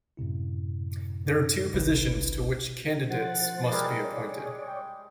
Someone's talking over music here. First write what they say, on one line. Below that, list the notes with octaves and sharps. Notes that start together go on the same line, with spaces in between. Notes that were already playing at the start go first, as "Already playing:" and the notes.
There are two positions to which candidates must be appointed.
F#2 A2 C3 E4
G1 C2 C3 D4 E4 B4
F3 C5 F#5 A6
G3 G#3 A#4
C#5 D5
G#4
G5